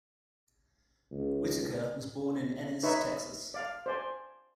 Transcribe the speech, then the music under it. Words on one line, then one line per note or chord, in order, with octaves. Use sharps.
Whitacre was born in Ennis, Texas.
C#2
D#4 B4 C#5 E5
D5 F5
C5 D5 G#5